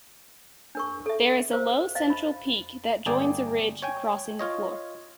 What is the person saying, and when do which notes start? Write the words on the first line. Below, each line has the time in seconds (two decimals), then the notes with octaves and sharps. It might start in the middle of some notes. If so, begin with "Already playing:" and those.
There is a low central peak that joins a ridge crossing the floor.
0.75 D4 A#4 C#6
1.06 A4 E5
1.51 A#4 C5 F5
1.95 D#5 F5
2.10 B5
3.06 G1 A#3 G#4 D5 G5
3.82 C#5 G5 G#5
4.39 F4 C#5 D#5